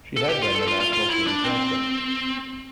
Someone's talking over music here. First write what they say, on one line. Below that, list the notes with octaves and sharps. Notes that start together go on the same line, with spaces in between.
She had been the national team captain.
A4
G4
F4
A4
F4
F4
F4
E4
D4
C4